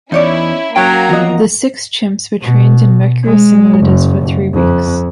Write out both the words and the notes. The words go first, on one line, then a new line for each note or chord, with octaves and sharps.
The six chimps were trained in Mercury simulators for three weeks.
E2 C#4 D#4 E4 C#5 D5
F#3 A#3 C#4 G5 A#5
E2 F3 F#4 D#5
B2
G#3
F#1
F2